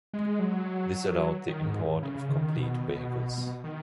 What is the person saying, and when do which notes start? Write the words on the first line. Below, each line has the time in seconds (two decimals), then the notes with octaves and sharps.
This allowed the import of complete vehicles.
0.13 G#3
0.40 F#3
1.48 D#3
1.65 G#2
2.03 C#3
2.29 D#3
2.56 B2
3.64 D#3